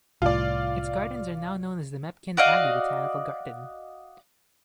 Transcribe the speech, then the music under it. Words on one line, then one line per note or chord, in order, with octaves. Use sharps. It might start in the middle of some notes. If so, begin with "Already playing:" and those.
Its gardens are now known as the Mepkin Abbey Botanical Garden.
C2 A2 F4 D5
F#4 D5 D#5 F5